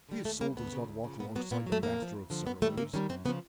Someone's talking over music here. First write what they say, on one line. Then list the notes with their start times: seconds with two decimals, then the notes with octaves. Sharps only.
His soul does not walk alongside the master of ceremonies.
0.09 D3 G3
0.25 D#2 A3
0.40 D3 G3 A#3
0.56 D2 B3
0.72 C#3 F3
0.88 D2
1.04 C#3 F3
1.19 A#2 B3
1.35 F#3 B3
1.51 A#2 B3
1.67 F#3
1.72 A3
1.82 F2 A#3
1.98 D3
2.02 F3
2.14 F2
2.30 D3 F3
2.46 G#2 B3
2.62 D#3 A3
2.65 G3
2.77 G#2 A#3
2.94 D#3 G3 C#4
3.09 F#2 C4
3.25 C#3 B3
3.29 F3